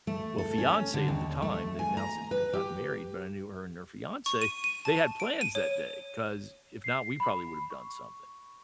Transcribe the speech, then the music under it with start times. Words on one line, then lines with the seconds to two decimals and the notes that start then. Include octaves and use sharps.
well, fiancé at the time, they've now since been gotten married, but I knew her and her fiancé, they had plans that day 'cause if not, we probably would have done something.
0.07 A3
0.38 A4
0.58 C#4
0.94 D3
1.08 D#2
1.42 A3
1.79 G#5
1.97 A#5
2.31 B4
2.53 G4
4.26 C#6
4.42 D#7
4.64 D#7
4.85 A5
5.20 D7
5.41 D#7
5.55 C#5
6.84 C7
7.20 B5
7.70 C#6